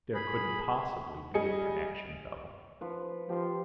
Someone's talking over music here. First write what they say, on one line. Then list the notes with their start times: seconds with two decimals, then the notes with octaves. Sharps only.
There couldn't possibly be a connection though.
0.14 G#4 B5
1.34 G3 G#4 D#5 C#7
2.81 F3 B4
3.29 F3 G4 C6